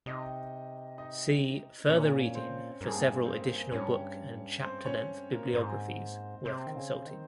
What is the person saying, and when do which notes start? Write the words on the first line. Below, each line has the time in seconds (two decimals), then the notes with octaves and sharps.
See Further Reading for several additional book and chapter length bibliographies worth consulting.
0.06 C3 D#4 D#5
0.98 D#4 D#5
1.89 A#2 C#4 C#5
2.35 C4 C5
2.81 G2 A#4
2.88 G#4
2.95 A#3 A#4
3.25 C4 C5
3.71 G2 C#4 C#5
4.62 C4 C5
4.85 C#4 C#5
5.31 A#3 A#4
5.54 G#2 C4 C5
6.45 C3 C4 C5
6.66 D#3
6.76 C#3
7.06 D#3